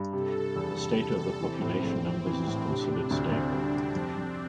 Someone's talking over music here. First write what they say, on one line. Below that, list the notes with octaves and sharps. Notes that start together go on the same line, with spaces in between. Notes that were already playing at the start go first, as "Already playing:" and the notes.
The state of the population numbers is considered stable.
Already playing: G2
C3 A4
C3
E2
C3
C3
C3
E3 C4
A2
A#1
E3
E3
A2
C3 D4
C3
C4
D2
D2 C4
G3
C3
F2
F2